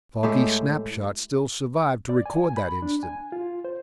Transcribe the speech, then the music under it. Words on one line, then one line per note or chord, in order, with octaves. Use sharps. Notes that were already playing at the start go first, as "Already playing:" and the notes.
Foggy snapshots still survive to record that incident.
A2 G#3 A3 G4
D5
G#5
G#5
B5
D4
G#5
F4
C5